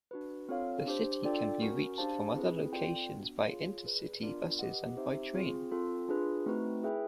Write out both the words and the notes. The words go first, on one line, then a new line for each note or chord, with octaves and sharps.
The city can be reached from other locations by inter-city buses and by train.
D4 F#4 B4
C4 F4 A4 C#5 F5
D4 G4 C5
D4 F4 A4 D5 G5
C#4 F#4 A#4
D4 G4 C5 F5 A5
C4 E4 G#4 B4
C4 F4 A4 D5 G5
B3 D4 F#4
F4 G#4 C#5 F5
G#4 B4 D5
B3 D4 F4 A#4 D5
G4 B4 D#5 F#5
C4 D#4 G4 C5 E5
C4 F4 G#4
C4 F4 A4
D4 F4 G#4 B4
A3 C4 D#4 F#4 B4
E4 G#4 B4 E5 G5